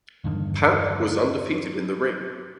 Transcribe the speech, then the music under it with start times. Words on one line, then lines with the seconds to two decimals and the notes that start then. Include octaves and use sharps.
Papp was undefeated in the ring.
0.24 E2 G2 D3 D#3